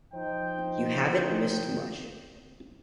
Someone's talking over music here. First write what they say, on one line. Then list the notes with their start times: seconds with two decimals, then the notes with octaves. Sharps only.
You haven't missed much.
0.14 F3 D#4 C5 G5